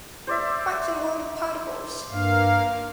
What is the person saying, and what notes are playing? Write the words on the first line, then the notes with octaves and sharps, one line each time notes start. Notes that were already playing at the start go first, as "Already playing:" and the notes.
Function word of particles.
C5 D5 E5
G2 A#3 F5